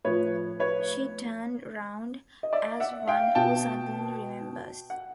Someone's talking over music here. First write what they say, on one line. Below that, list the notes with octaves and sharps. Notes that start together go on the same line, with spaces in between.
She turned round, as one who suddenly remembers.
A2 F3 B4 C#5
B4 C#5
D#5
D5 E5
E5 F#5
F5 G5
B2 G5 A5
F#5